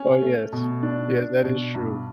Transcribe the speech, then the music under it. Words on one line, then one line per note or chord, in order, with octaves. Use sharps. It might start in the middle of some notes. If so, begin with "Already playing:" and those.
Oh, yes. Yes. That is true.
Already playing: C#4
A3
B2
D4
D4
B2
G2